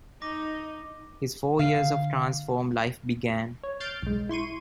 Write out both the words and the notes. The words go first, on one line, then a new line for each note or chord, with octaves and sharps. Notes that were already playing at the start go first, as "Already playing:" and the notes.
His four years of "transform" life began.
D#4 D6 A#6
D3 F5
C#5
F6 G6 A6 C7 D7
B1 G#3
E4 C6 C#6 D#7